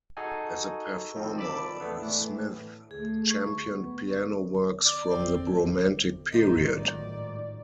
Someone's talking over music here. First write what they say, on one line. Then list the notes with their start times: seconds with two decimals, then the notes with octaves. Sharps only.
As a performer, Smith championed piano works from the romantic period.
0.17 D#4 F#4 G#4 A4 G#5
1.15 D#3 F3 C4
1.38 D5 A5 B5 D6 E6
1.80 E2 A3 B3 D4
1.98 A2 E3
2.91 D2 A3 G#4
3.29 C#6
3.66 B3
4.85 D5
5.09 C4
5.46 A2
6.32 A1 G#2 D#3 F#3 D#4 F4 D5